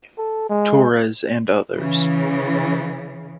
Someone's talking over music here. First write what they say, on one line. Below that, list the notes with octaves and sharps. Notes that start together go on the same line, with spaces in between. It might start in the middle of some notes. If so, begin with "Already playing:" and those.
Torres and others.
A4
G#3
C#3 E3